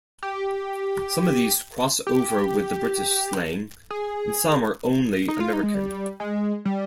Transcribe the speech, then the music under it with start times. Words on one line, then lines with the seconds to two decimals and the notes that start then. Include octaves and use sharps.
Some of these cross over with the British slang, and some are only American.
0.23 G4
2.07 G4
3.90 G#4
5.28 D#4
5.40 F4
5.53 D#4
5.63 G#3
5.74 G3
6.20 G#3
6.65 G3